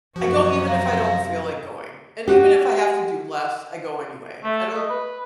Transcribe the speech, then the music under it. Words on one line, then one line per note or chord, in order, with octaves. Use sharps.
I go even if I don't feel like going, and even if I have to do less, I go anyway, I don't
F#2 C3 F3 F#4
F5 A#5
F#4 G4
A3
D#5
B4